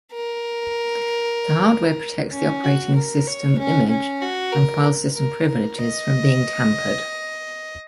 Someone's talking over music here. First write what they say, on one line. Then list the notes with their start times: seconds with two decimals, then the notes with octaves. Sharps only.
The hardware protects the operating system image and file system privileges from being tampered.
0.13 A#4
2.33 C#4
2.64 F#4
2.95 A#4
3.27 C#5
3.58 C#4
3.90 C#4
4.21 F#4
4.52 A#4
5.15 A#4
5.47 A#4
5.78 D#5